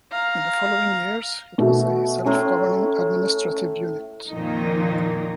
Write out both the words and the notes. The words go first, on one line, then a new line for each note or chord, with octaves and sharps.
In the following years it was a self-governing administrative unit.
F5 A#5
B2 A3 F#4
A2 C#4 A#5 C6
F2 A#2 D#3 F3 A#3 D#4